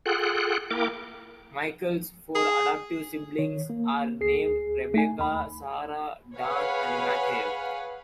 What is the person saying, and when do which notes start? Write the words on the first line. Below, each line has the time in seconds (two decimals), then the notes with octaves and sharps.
Michael's four adoptive siblings are named Rebecca, Sara, Dan, and Matthew.
0.06 F4 G#4 A4 F#5 G5 F#6
0.71 A#3 E4 A#4 G5 D6
2.35 G#4
3.39 D#3 C#5
3.70 A#3
4.20 D2 G#4 C7
4.94 A3 D#4 G#5
5.19 D#2 B5
6.39 G#4 B4 C#5 F5 F#5 G#5